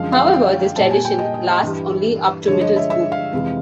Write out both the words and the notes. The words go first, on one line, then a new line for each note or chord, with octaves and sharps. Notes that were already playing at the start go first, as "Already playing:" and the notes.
However, this tradition lasts only up to Middle School.
Already playing: F#2 D3 F3 G#3 F5
F5
G5
A#2 G3 A5
G#5
G5
D#5
D#5
D#5
G2 E3 G3
G2 D3 F3 G#3 C#5
D#5
E5
E5
F5
F2 C3 E3 G#3